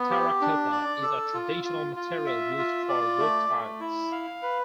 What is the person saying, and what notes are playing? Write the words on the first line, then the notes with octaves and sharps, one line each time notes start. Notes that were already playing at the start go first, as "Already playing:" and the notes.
Terracotta is a traditional material used for roof tiles.
Already playing: B3
G4
D4
D5
A4
F4
F4
F4
E5
F4
D5
A3
A3
E4
F5
B4